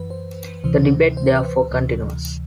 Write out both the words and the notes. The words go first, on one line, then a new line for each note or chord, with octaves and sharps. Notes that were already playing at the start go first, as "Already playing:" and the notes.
The debate therefore continues.
Already playing: F#2 E3 B4
C5
D2 C3 E3 C5
C5
B4
C5
D2 C3 E3